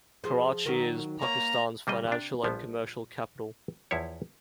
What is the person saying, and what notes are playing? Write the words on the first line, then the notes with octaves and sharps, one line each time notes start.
Karachi is Pakistan's financial and commercial capital.
F3 G#4 C5
D#3 F#3 A#4
A#3 C#5 A#5
C#3 G3 A#3 D#5
C3 D4
A#1 F3 G3 B3
E2 F3 E4 C#5